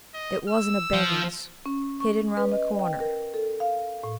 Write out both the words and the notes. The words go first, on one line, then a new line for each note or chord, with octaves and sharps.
It was in abeyance--hidden round the corner.
D#5
E6
F3
C#4
C#6
B4
D#5
G5
A#4
A4
F5
A2